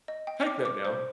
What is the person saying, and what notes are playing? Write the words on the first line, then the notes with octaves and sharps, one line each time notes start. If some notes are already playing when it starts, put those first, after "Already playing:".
take that down.
D#5
G5
D6
D6
C5